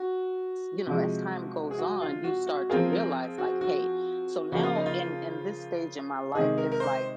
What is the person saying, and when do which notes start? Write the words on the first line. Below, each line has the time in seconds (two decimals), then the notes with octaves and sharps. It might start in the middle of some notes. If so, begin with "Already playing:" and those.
you know, as time goes on, you start to realize, like, "Hey," so now in in this stage in my life, it's like
Already playing: F#4
0.87 C3 F3 G#3
1.71 G#4
1.78 F#4
2.01 F4
2.24 F#4
2.47 F#4
2.70 F3 C4 F4 G#4 A#4
2.92 A#4
3.38 F#4
3.61 F#4
4.52 C#3 F3 A#3 F#4
4.63 F4
4.75 D#4
4.86 F4
6.34 C3 D#3 G#3 D#4 G#4
6.58 A#4
6.72 A#4
6.80 C5